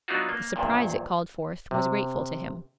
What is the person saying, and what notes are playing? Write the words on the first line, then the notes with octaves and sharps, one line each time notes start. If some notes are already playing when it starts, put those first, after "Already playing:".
The surprise it called forth was grateful to him.
F#3 B3 D4 D#4 F4 F#4
A#3
A#1 E2 G2 A#2
C3